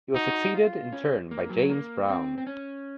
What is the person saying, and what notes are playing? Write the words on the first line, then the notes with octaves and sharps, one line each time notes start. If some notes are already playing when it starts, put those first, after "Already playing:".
He was succeeded in turn by James Brown.
D#4 F#4
F4
C#4
A#3
F#3
A#3
C4
C4
C#4